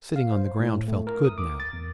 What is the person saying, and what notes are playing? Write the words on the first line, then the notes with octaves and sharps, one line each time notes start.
Sitting on the ground felt good now.
F5
C5
A2
A3
A#4
D#6
D6
A6
E2